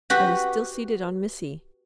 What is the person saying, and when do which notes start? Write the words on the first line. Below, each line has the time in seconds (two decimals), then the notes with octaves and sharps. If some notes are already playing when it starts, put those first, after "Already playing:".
I was still seated on Missy.
0.10 F#4 G4 B4